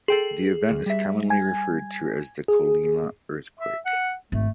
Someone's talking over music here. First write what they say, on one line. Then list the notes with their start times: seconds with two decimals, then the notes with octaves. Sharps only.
The event is commonly referred to as the Colima earthquake.
0.08 G#4 A4 G5 C6
0.70 D2
0.86 G3 E5
1.30 G#5 G#6
2.48 G#4
3.60 E5
3.86 F#5
4.32 G#1 A3